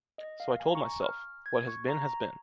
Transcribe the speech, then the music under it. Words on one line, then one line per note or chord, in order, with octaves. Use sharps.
So I told myself: what has been has been.
D#5
F5
G#5
A#5
C#6
F6
G#6
C#6
A#5